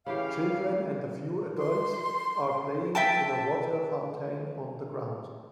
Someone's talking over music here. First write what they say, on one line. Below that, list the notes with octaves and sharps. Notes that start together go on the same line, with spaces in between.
Children and a few adults are playing in a water fountain on the ground.
C#3 E3 G4 F5
C6
E5 G5 A5